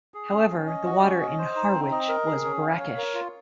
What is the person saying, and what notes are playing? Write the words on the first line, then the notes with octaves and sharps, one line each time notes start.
However the water in Harwich was brackish.
G#4
C#4
C#4
D#5
F#4
C#4
D#5
C5
D#4
C4
D#5
A#4
G#4
C#4
F5
C#5
A#4
F4